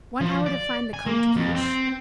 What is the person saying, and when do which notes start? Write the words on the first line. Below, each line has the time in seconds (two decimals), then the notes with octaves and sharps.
"One hour to find the Comte de Guiche."
0.21 F3
0.46 D5
0.94 G#5
1.06 A#3
1.36 F2
1.55 C4